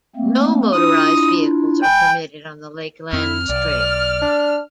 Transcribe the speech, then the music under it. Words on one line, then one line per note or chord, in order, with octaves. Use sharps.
No motorized vehicles are permitted on the Lakelands Trail.
A3 A#3 C4
D4 E4 F4 D#6
G5 G#5 B5
F2 C4 E4 F6
B1 D5
D4